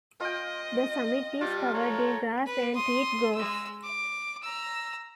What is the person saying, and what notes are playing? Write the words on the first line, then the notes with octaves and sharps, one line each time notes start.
The summit is covered in grass and peat groughs.
F4 D#5 G5
G3 D4 F4
A4 C#5 A#5
B4
C6 D#6
G#3 E6
D6
A#5 E6